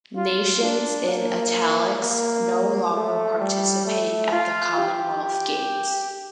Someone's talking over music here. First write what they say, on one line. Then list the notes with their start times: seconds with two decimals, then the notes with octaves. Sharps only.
Nations in "italics" no longer participate at the Commonwealth Games.
0.17 F4
0.63 D4
1.09 A#3
2.01 A#3
2.93 A3
3.39 G3
3.86 A3
4.32 F4
4.77 G4
5.24 G4